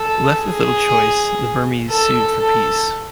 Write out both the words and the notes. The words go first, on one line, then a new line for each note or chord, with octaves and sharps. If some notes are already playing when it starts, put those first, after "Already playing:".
Left with little choice, the Burmese sued for peace.
Already playing: A4
G#4
A4
A4